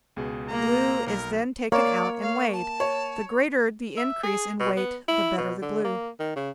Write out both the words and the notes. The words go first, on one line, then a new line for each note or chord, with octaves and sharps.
The glue is then taken out and weighed; the greater the increase in weight the better the glue.
C#2 B2 G#4
A#3 A#5
B1 A#4
A#3 C#5 D5
F5
A5
C#5
E5
G#4
B2
B3
E4
B2
D3
A#3
D#3
C#3